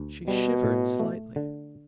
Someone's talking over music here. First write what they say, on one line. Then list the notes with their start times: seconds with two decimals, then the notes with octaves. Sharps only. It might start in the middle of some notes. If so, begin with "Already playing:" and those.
She shivered slightly.
Already playing: D2
0.27 B2 G3
0.63 A2
1.00 A3
1.36 D3